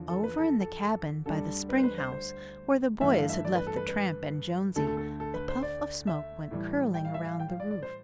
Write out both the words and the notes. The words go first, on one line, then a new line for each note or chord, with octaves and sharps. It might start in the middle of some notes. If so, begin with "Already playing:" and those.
Over in the cabin by the spring-house where the boys had left the tramp and Jonesy, a puff of smoke went curling around the roof.
Already playing: E2 D3 F3
A4
B4
A4
A4
D2 D3 G3 A4
B4
C5
B4
C5
C5
G2 E3 A3 E5
F5
E5
D5
B4
A4
B4
B4
D2 D3 A3 A4
A4
A4
A4
B4
C5
D5
E5
A2 E3 G3
G5
F5
E5
F5
G5
F5
D5
D5
C5